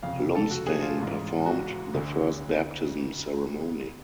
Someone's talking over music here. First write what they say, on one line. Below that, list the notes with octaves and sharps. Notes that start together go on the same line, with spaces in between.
Lumsdaine performed the first baptism ceremony.
F1 F2 C#3 F5
A4
F#4
G#4
F4
A1 G#2
F#4
D2 D3